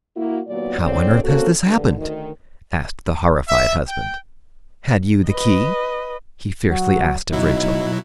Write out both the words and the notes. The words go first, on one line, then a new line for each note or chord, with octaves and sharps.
"How on earth has this happened?" asked the horrified husband. "Had you the key?" he fiercely asked of Rachel.
A#3 E4 F#4
D#2 A#2 F#3 A#3 B3 D5
E2 A#2 D3 C4 C#5 D5
A#3 C4 C#4 F#4 A4
G2 D3
D2 D#3
E5
G5
B4 D#5
F#3
B2 F#3 D#4 E4